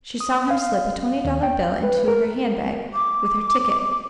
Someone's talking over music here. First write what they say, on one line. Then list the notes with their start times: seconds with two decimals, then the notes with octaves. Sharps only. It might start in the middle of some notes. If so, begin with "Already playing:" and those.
She saw him slip a twenty-dollar bill into her handbag with her ticket.
0.20 D#6
0.51 F5
1.25 D#2
1.43 G5
1.83 B4
2.08 A#4
2.94 D6